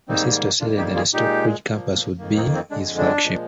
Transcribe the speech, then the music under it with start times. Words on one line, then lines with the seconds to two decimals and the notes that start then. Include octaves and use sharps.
DeSisto stated that the Stockbridge campus would be his "flagship".
0.08 G#2 D#3 G3 A#3 C4 D#4
0.60 F2 D#3 G3 A#3 D4 F4
0.78 D#4 G4
0.95 F4 G#4
1.13 A#2 G#3 D#4 G4
1.66 A#2 F3 A#3
2.18 F2 D#3 A#3
2.36 C4 D#4
2.54 C4
2.71 F2 D3 G#3 D4
2.98 D4
3.23 A#2 F3 G#3